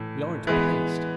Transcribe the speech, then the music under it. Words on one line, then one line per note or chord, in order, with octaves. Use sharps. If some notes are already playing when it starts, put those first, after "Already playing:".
We aren't placed.
Already playing: A2 E3
E3 G#3 B3